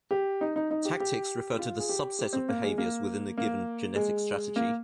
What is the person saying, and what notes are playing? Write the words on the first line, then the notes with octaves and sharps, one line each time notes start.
Tactics refer to the subset of behaviors within a given genetic strategy.
G4
D#4
D#4
D#4
G4
G4
F4
G#4
G4
G4
C4
A#3
G#3
A#3
A#3
G#3
A#3